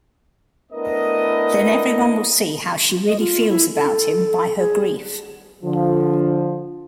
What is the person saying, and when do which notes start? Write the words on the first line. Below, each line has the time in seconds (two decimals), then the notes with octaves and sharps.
Then everyone will see how she really feels about him by her grief.
0.72 A3 B3 D4 E4 A#4 D#5
3.07 D#5
3.19 F4
3.50 E4
3.75 A4
4.57 G#4
5.63 D3 F3